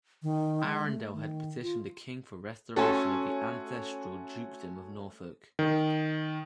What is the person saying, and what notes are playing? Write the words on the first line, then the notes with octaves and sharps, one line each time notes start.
Arundel had petitioned the king for restoration of the ancestral Dukedom of Norfolk.
D#3
G#3
A3
D#3
F4
A3 C#4 F#4 A4 G#5 C6
D#3